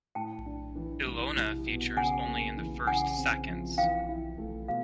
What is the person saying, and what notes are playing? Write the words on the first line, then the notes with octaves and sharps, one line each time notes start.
Ilona features only in the first seconds.
A2 G5 A5
D4
E3
C2
C2
B2
C#3 F#5 G#5
A#3
E3
C#3 F#5 G#5
C4
F3
E3 F5 G5
E4
A3
B2 F5